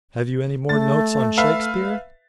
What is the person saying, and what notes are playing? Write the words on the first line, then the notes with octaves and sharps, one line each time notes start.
Have you any more notes on Shakspeare?
A3 A6
B4 E5 F5